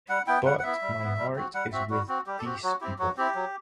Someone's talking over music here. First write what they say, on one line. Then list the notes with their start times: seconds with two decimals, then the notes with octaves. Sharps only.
But my heart is with this people.
0.09 G3 F#5
0.27 B3 E4 G5
0.45 G3 F#5
0.59 F#5
0.63 B3 E4 E5
0.82 G3
0.99 B3 E4
1.17 G3
1.36 C4 F#4
1.54 G3 F#5
1.72 C4 F#4 E5
1.90 G3 F#4
2.08 C4 F#4
2.27 G3 G4
2.39 A4
2.45 C4 F#4 G4
2.63 F#3 F#4
2.81 C4 E4 G4
2.99 F#3 F#4
3.17 C4 E4 G4
3.35 F#3